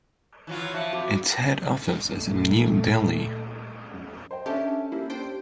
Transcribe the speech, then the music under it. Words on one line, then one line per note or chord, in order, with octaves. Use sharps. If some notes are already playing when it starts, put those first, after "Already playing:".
Its head office is in New Delhi.
E3 F#3 F4
F3 E5 F5 C#7
F2 F#4 D6
A#2 A3
F#2
C5 D#5 G5
C#4 D4 G4 A4 E5
A#3 E4 G4
D4 C5 G5